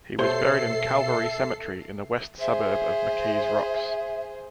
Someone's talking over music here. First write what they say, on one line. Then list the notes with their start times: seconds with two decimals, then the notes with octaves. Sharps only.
He was buried in Calvary Cemetery in the west suburb of McKees Rocks.
0.19 B2 G4 A4 C5 C#5 E5 C6 C7
2.40 G#4 C5 E5